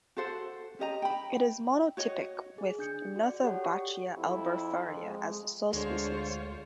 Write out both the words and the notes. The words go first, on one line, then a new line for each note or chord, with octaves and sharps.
It is monotypic with "Nothobachia ablephara" as the sole species.
F#4 A4 C5 F#5
C#4 G4 D#5 A#5
G5 B5
F#4 C#5 D#5
G#4
D4 G6 C#7
F#4 D5
G4 A4 C#5 F#5
C#6
F2 E4
G#3
D2 D3 G#3 F4 C5 C#5